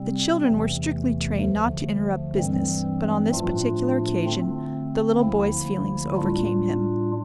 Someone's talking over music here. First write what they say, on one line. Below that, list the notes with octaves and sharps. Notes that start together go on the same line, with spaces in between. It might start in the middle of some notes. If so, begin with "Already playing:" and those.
The children were strictly trained not to interrupt business, but on this particular occasion the little boy's feelings overcame him.
Already playing: C3 G3 C4
E2 C3 E3 A3
D2 D3 F3 A3
G2 E3 G3 C4
A2 F3 A3 D4 F4
D3 A3 C4
D2 D3 F3 A#3 E4
A2 G3 D4 F4